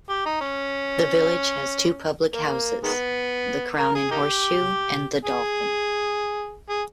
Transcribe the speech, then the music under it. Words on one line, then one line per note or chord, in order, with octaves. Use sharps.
The village has two public houses: "The Crown and Horseshoe", and "The Dolphin".
G4
D#4
C#4
A#3
D#3 G#3 B3
A#4
G#4
A#3 D#4 G4
G#4
G#4